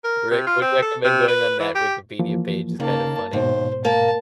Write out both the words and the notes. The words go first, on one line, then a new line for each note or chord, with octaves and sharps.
Re would recommend going on that Wikipedia page, it's kind of funny.
A#4
C3
F4
C4
A4
C3
B4
E3
G4
E3 F3 A#3
D#2 C#3 A#3 A5
D#2 G#2 B2 C5
A#3 A5